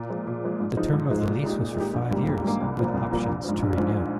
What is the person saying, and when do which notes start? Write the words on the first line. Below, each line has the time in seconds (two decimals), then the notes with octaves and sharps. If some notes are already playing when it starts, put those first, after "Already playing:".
The term of the lease was for five years, with options to renew.
Already playing: A#2
0.09 F3 G#3
0.27 A#2
0.44 F3 G#3
0.60 G#2
0.77 F3 G#3 D#4
0.93 G#2
1.10 F3 G#3 D#4
1.27 A#2
1.43 G#3 D#4 G4
1.61 A#2
1.77 G#3 D#4 G4
1.94 A#1
2.11 G#2 G3 A#3
2.28 A#1
2.44 G#2 G3 A#3
2.61 C2
2.78 A#2 F3 A#3
2.94 C2
3.12 A#2 F3 A#3
3.28 A#1
3.44 G#2 F3
3.62 A#1
3.78 G#2 F3